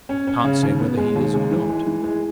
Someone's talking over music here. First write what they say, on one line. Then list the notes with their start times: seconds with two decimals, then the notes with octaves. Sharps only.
"Can't say whether he is, or not."
0.09 C#4
0.27 C#4
0.44 C#3
0.63 D#2
0.80 B3
0.97 G#3
1.16 D#2
1.33 G#3
1.51 E3
1.69 G#3
1.87 E3
2.04 G#3